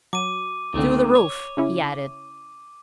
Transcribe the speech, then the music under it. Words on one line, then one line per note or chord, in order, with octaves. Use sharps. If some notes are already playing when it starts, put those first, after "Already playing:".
"Through the roof," he added.
F#3 D6 D#7
C#2 D3 D#3 A3 C4
C#5
C#3 C#4 E4